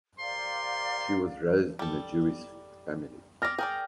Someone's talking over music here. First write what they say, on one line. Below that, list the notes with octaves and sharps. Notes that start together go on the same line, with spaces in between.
She was raised in a Jewish family.
G4 A#4 C5 D5 F5 C6
G3 A4
G3 D5 F6 A#6
G#4 A#4 D5 G5